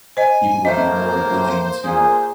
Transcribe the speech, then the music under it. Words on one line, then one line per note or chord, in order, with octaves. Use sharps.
people would be more willing to,
C5 D#5 G#5
A2 A#3 C5 D#5 E5
A#2 G#4